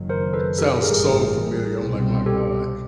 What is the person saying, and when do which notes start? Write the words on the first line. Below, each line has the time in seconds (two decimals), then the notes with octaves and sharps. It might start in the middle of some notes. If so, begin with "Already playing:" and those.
sounds so familiar. I'm, like, "My god,
Already playing: F#1 F#2 D#3 F#3
0.09 A#4 C5
0.33 A4 B4
0.58 G4 A4
0.76 A4
0.82 A1 G2 E3 G3 G#4 A#4
1.78 C2 B2 G3 C4
2.26 G4 A4